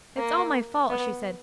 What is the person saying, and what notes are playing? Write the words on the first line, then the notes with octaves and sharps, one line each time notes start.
'It's all my fault,' she said.
A#3
B3